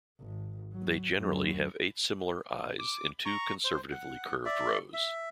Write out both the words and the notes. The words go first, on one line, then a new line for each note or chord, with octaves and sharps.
They generally have eight similar eyes in two conservatively curved rows.
G#1
F#3
F#2
D6
A#5 C#6
C5
F#5
D5 E5
E5